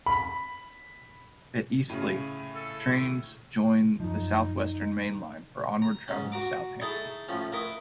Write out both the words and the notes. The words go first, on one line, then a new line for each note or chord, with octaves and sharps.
At Eastleigh, trains join the South Western Main Line for onward travel to Southampton.
B5
A2 C#3
A4
F#2 F3 D#4
A#5
G#2 C#4
F#4 A#5 D6
D#4 E4 G#4 A4 A5 C#6
A2 F3 C#4
E4 A#4 B4 D#5 C#6